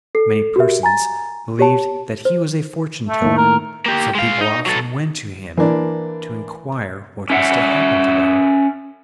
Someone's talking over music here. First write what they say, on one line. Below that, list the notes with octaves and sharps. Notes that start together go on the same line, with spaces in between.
Many persons believed that he was a fortune-teller, so people often went to him to inquire what was to happen to them.
A4 C7
F#4 G4 A#4 E5
G#5 A#5 A6
G4 C#5 A5
C5
A3
A2 D#3 A#3
A#4
A#3 G4
G#3 F5
D#4
F#3 A4
E3 A#3 D4
C#4 E5 F#5